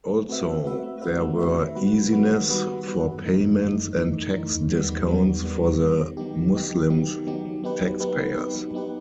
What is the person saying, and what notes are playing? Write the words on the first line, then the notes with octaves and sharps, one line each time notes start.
Also, there were easiness for payments and tax discounts for the Muslims taxpayers.
A3
C4 F#4 B4 E5
A3
C4 F#4 B4 E5
A3
C4 F#4 B4 E5
A3
C4 F#4 B4 E5
D#3
G3 B3 F#4 B4
D#3
G3 B3 F#4 B4
D#3
G3 B3 F#4 B4
D#3
G3 B3 F#4 B4
F#2
E3 A3 D#4
F#2
E3 A3 D#4
F#2
E3 A3 D#4
F#2
E3 A3 D#4
E2
D#3 G3 B3
E2
D#3 G3 B3
E2
D#3 G3 B3
E2
D#3 G3 B3
D#3
F#3 B3 D#4 G4
D#3
F#3 B3 D#4 G4
D#3
F#3 B3 D#4 G4
D#3
F#3 B3 D#4 G4
F#3
B3 D#4 G4 B4
F#3
B3 D#4 G4 B4
F#3
B3 D#4 G4 B4
F#3
B3 D#4 G4 B4